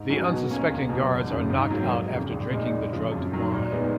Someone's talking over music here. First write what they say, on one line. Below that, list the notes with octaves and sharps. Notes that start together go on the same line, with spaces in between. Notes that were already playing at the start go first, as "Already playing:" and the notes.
The unsuspecting guards are knocked out after drinking the drugged wine.
Already playing: G#2
F#3 C#4 F#4
B2
A#3 C#4
C#2
B2 F#3
G#1
F#2 C#3
G#2
F#3 A#3
F1
F2 C#3
A#1
A#2 G#3 D#4
F2
C#3 F3
F#2
D#3 F#3
A#2
G#3 B3 D#4